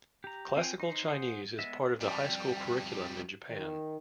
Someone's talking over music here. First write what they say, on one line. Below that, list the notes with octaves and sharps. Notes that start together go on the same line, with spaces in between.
Classical Chinese is part of the high school curriculum in Japan.
G4 A#5
C4 F4 C5 G5 G#5
D#4 C5
C5 F#5 G#5 C6 D#6
G#3 B3 D#5 E5
F2 G3
D#3